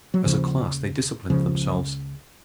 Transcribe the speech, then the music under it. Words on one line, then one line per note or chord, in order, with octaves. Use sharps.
As a class, they disciplined themselves.
F#3
D#2 C#3 F3
C#2 C#3 F3